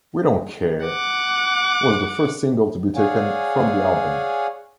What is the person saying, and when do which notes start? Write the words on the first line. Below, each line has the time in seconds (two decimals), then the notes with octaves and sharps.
"We Don't Care" was the first single to be taken from the album.
0.85 F#5 D6
2.96 G#4 C#5 D5 F5 F#5 G#5